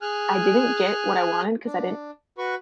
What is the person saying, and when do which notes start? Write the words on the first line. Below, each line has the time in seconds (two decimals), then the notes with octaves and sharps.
I didn't get what I wanted 'cause I didn't
0.02 G#4 G#5 F6 F#6
1.66 D4
2.38 F#4 B4 C#6